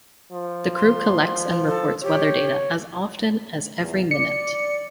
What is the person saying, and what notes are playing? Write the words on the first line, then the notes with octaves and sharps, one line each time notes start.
The crew collects and reports weather data as often as every minute.
F3
C6
A4
G4 C#5
E2
D5 C#7